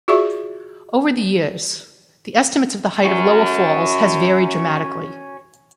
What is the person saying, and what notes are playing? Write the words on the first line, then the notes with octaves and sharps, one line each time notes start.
Over the years the estimates of the height of Lower Falls has varied dramatically.
F4 F#4 G#4 D5 E5 C#6
C#4 F#4